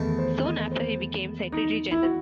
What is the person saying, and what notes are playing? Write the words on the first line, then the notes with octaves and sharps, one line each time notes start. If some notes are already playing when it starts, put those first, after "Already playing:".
Soon after, he became Secretary General.
Already playing: E2 D#3 A3
C5
D#5
C5
D#4
E4
F#4